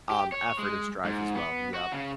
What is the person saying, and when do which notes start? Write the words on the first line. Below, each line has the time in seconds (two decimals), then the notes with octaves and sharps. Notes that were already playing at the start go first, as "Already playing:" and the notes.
um, effort and strife as well. Yep.
0.11 G4
0.32 C#5
0.59 G#3
1.05 G#2
1.35 B3
1.74 F#4
1.93 C#3